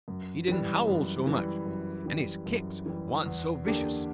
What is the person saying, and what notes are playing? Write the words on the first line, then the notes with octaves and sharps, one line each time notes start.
He didn't howl so much, and his kicks wa'n't so vicious.
F#2
E3 G3
F#2
E3 G3
F#2
E3 G3
F#2
E3 G3
E2
D3 A#3 D4 G4